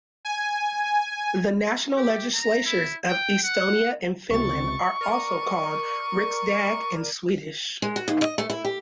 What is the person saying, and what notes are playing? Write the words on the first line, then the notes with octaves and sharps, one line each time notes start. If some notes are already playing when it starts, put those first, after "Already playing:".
The national legislatures of Estonia and Finland are also called Riksdag in Swedish.
G#5
G4
A#5
E4
G5
F#5
C#2 C3 C#6 A6
A#4 D5 D#7
G#3
F#4
D#2
D#5
A3
E4
G4